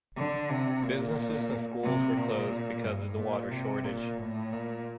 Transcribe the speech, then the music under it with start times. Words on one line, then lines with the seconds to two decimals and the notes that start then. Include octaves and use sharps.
Businesses and schools were closed because of the water shortage.
0.16 D3
0.50 C3
0.84 A#2
1.84 C3
2.18 A#2
2.84 G2
3.18 A#2
3.51 C3
3.84 A#2
4.18 A2
4.52 A#2